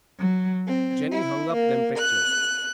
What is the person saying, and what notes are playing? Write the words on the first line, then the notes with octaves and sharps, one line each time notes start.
Jenny hung up them pictures.
F#3
C4
E4
A#3
F#6